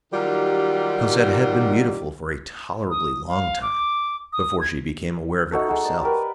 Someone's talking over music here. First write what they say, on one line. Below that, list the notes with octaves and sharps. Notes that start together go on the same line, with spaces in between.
Cosette had been beautiful for a tolerably long time before she became aware of it herself.
D#3 F#3 G3 D#4 F4 G4
D#6
F5
D6
D#6
G#6
A3 D#4 F#4 A4
G#3 D#4 F#4
C5 D5 A5
G4 A#4 B4